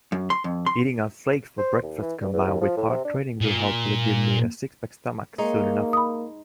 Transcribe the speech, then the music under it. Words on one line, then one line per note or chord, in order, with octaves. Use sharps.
Eating oat flakes for breakfast combined with hard training will hopefully give me a six-pack stomach soon enough.
F#2
C6
F2
C6
C5
D#2
E3
G2
E2
D#2
F3
A2
C3
D4
A#2
G#3 A#3 D#4 C#5
B5 D#6